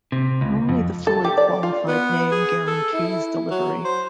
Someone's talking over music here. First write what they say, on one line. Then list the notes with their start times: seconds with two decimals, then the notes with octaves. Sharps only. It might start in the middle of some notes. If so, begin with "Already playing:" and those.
Only the fully qualified name guarantees delivery.
0.12 C3
0.41 C#2
0.69 F2
1.07 A4
1.25 G4
1.38 D5
1.63 F4
1.88 B3
2.31 G#4
2.67 A4
2.93 E4
3.51 F#3
3.84 C5